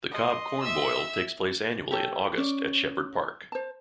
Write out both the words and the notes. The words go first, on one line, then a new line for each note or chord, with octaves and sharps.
The Cobb Corn Boil takes place annually in August at Shepherd Park.
D#5 C6
E5 E6
G4 A4 C#5 A5
C#4 D5
C5 A5